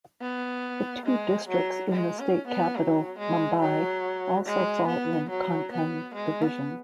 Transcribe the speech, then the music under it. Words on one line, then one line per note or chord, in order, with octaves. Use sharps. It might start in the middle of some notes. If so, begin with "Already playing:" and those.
The two districts in the state capital Mumbai also fall in Konkan division.
B3
G#3
F#3
G#3
C#4
B3
F#3
G#3
F#3
G#3
B3
F#3
B3
G#3
B3